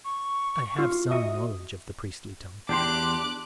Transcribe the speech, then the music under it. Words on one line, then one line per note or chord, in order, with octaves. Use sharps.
"I have some knowledge of the priestly tongue."
C#6
F4
F#4 D#5 E5 D#6
E2 D4 G4 G5 C6 D6 F#6